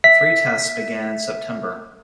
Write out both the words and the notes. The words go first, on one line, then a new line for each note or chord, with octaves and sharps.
Three tests began in September.
E5 B6